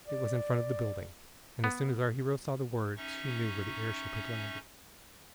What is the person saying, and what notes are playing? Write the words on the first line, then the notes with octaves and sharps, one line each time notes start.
It was in front of the building, and as soon as our hero saw the words he knew where the airship had landed.
D5
B3
C#4 D#4 E5 C#6